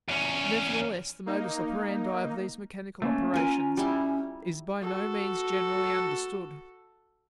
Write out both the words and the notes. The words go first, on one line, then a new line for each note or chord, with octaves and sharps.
Nevertheless, the modus operandi of these mechanical operations is by no means generally understood.
E2 C#4
A#3 D#4
A3 A#3 C#4
C#4 F4 A#4 G#5
G3 E4
F#4 A4